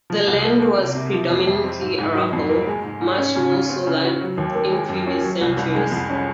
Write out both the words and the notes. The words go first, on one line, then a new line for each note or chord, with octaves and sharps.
The land was predominantly arable, much more so than in previous centuries.
F3
C2
A#3
A#3
C3
C3
F3
F2
F2
C4
G#2
G#2
F#3
F2
A#3
G#3
G#2
G#2
C#4
C#3
F4
C4
C#3
F#4
F#3
D#2
A#3
G#3
F#2
C#4
F#3
C2
C2
G#3
F2
C#4